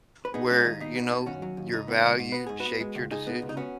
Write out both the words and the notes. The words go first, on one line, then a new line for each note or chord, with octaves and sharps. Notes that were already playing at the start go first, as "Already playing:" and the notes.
where, you know, your value shaped your decision?
B4
B3 D#4 G#4
G#3 C#4 F#4
D#2 D#4
B2 D#4
B3
B2
D#2 C#4 F#4
F#3
D#2
C#2 D#4
B3
C#2
G#2
B3 B4
G#2 G#4
F#4 B4
B3
G#3
C#2
C#2 D#4 G#4
B3
C#2
D#4
B3 C#4 F#4